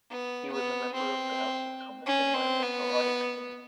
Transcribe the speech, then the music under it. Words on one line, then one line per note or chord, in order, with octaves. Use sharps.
He was a member of the House of Commons Environmental Audit Committee.
B3
B3
C4
C#4
C4
B3